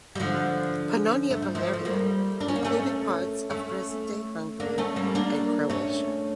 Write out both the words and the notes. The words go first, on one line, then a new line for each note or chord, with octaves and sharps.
Pannonia Valeria included parts of present-day Hungary and Croatia.
G3
D3 F3
A3
G3
F3 A3
A3
G3 A#3
D4
C#4
A#3
A3 C#4
A3 C#4
A#3 D4
A3 C#4
G3 A#3
A#3 D4
A3 C#4